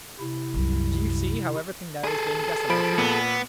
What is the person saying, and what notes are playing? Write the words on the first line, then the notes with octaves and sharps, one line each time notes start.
Do you see how everything there is being desolated!
C3 E4
C2 F#2
G#4 A4
F3 B5 D7
A#2 B3